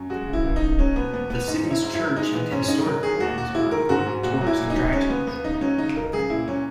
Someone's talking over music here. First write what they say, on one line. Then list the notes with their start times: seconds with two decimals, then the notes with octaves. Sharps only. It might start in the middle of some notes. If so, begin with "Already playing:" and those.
The city's church and historic buildings are important tourist attractions.
Already playing: F#2
0.10 G#3 F#4
0.27 C#3
0.33 E4
0.44 C#2
0.56 D#4
0.62 C#2
0.79 F#3 C#4
0.96 B2 B3
1.13 E2 B3
1.30 E2 B3
1.48 G#2 D#4
1.65 F#3
1.71 E4
1.82 G#2
1.94 E4
2.00 F#3
2.16 G#3 D#4
2.34 E3 B3
2.51 G#2 C#4
2.62 C#4
2.68 G#2 D#4
2.85 F#3 A#4
3.03 D#3 G#4
3.20 D#2 F#4
3.37 D#2 F#4
3.54 G#3 E4
3.71 D#3 A#4
3.89 G#2 F#4
4.06 G#2
4.23 A#2 F#4
4.41 F#3
4.47 E4
4.58 A#2
4.70 D#4
4.75 F#3
4.92 G#3 C#4
5.10 C#3 B3
5.27 C#2 B3
5.44 C#2 D#4
5.54 D#4
5.61 F#3 C#4
5.78 C#3 D#4
5.95 C#2 A#4
6.13 C#2 G#4
6.30 A#2 E4
6.48 F#3 C#4